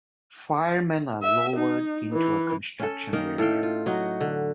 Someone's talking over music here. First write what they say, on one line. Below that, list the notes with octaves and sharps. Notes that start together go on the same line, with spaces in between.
Firemen are lowered into a construction area.
E5
D#4
E3
C#4 A4
D#3 A#3 D#4 A#4
A2 A4 F5 G5
F4
F#3 D#4 F#4
D3